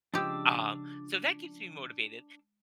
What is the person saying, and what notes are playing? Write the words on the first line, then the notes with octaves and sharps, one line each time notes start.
Uh, so that keeps me motivated,
C#3 F3 G#3 D4 G4 D6 E6